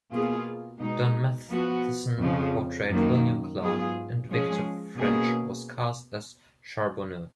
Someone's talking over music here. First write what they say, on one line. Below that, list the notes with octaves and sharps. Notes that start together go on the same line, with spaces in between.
Don Matheson portrayed William Clark, and Victor French was cast as Charbonneau.
B2 A#3 F4 G#4
B2 G#3 D#4
F3 B3 F#4
F2 C#3 F3
F#2 D#3 A#3
G#2 F#3 B3 F4 G#4
F3 G#3 C#4 G#4
B2 A#3 C#4 G#4